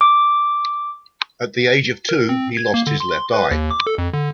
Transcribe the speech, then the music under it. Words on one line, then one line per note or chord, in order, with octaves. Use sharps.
At the age of two, he lost his left eye.
D6
A#4
C4
G#6
A#3
D3
C6
B4
D#2
D6
A4
F2
D3